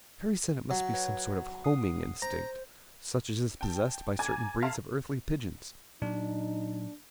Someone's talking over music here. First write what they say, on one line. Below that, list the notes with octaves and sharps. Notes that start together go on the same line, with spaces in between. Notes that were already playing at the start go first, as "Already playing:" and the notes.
Perry said it must be some sort of homing instinct such as is possessed by certain breeds of earthly pigeons.
F#3
B4 C#5 F#5
F#5 D#6 C7
C5 A#5
G5 A5
G#5 A#5 D6 G#6 A6
E5 F5 A5 A#5 C6
A#2 F#3 D4 D#4